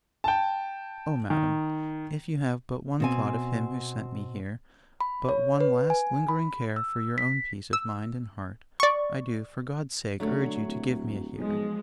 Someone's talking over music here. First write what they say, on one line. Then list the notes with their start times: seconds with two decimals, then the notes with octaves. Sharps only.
Oh, madam, if you have but one thought of him who sent me here, but one last lingering care for your own peace of mind and heart, I do for God's sake urge you to give me a hearing.'
0.24 G5 A5
1.30 D#3
3.00 B2 C4 G#5
5.01 B5
5.29 C#5
5.61 B4
5.90 G#5
6.28 B5
6.76 E6
7.18 B6
7.73 E6
8.80 D5 C#6
10.20 D3 F#3 A3
10.67 D1
11.37 B1 F3 G#3